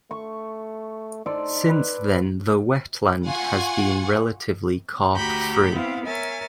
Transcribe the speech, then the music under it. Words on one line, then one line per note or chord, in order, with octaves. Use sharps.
Since then the wetland has been relatively carp free.
A3 C#6
D#4 A4 C5 D5
B4
F4 F#5 G#5 C#6
D2 F#4 G4 A#5 B5 G6
B3 C4 E4 F5
A#4 C#5 E5 G#5 A6